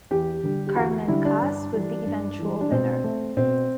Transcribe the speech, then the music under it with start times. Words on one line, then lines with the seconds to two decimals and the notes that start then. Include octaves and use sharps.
Carmen Kass was the eventual winner.
0.11 E2 G4
0.43 D3 G3
0.67 G4
0.76 E2 F#4
1.08 D3 G3 E4
1.25 D4
1.41 G2
1.74 E3 G3
2.06 G2
2.39 E3 G3
2.61 D4
2.71 B2 C4
3.04 A3
3.37 B2 C4